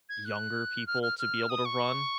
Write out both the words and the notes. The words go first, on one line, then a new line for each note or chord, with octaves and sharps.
Younger people to be able to run,
G#6
F#6
F6
F6
F6
D#6
C#6